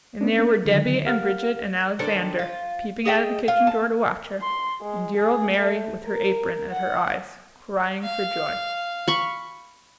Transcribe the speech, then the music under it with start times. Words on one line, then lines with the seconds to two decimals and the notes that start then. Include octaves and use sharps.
And there were Debby and Bridget and Alexander, peeping out of the kitchen door to watch her, and dear old Mary with her apron at her eyes crying for joy.
0.21 A3 B3 C#4 D4
0.65 D3 D#3 F#3
1.05 G4 A#4 F5 F#5 F6
1.99 D#3 D4 A4 C5
2.39 F4
3.05 G#4 D#5 F5 G5
3.48 F4
3.67 A5
4.41 C6
4.82 G#3
5.17 G#4
5.57 A3
6.05 A#4
6.72 F#5
8.02 F5
9.08 B5 C#6